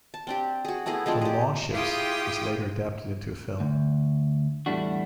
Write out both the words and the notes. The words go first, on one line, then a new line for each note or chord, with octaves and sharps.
"The Long Ships" was later adapted into a film.
A5
C4 D4 G4
F#4 G#4
A3 B3 E4 G#4
F3 G#3 C4 D4
G4 G#4
E4 F4 G4 G#4 G5 D#6
D2
E2 A2 G3 A3 D4 F#4